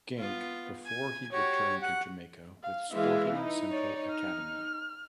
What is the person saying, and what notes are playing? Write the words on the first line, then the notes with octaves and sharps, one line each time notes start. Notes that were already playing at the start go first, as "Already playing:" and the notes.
Genk before he returned to Jamaica with Sporting Central Academy.
B3 F4
G#5
F#4 G4 C#5
F#5
F5
E3 G#3 E5 F5
D#4 E4
C#5 D5
F6